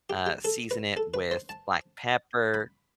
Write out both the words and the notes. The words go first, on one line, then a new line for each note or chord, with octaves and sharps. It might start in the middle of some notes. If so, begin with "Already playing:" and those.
Uh, season it with black pepper.
G4
G4
A4
B4
A4
B4
C5
A5
B5